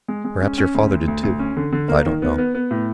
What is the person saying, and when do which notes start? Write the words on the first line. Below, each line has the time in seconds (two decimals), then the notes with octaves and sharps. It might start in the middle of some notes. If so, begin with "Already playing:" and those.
Perhaps your father did, too; I don't know.
0.08 G#3
0.25 G#3
0.41 C#4
0.58 C#4
0.74 D2
0.91 D2
1.08 D2
1.23 D2
1.39 C#4
1.57 D3
1.72 D3
1.89 A#3
2.06 D#3
2.22 B3
2.38 B3
2.55 B3
2.71 A2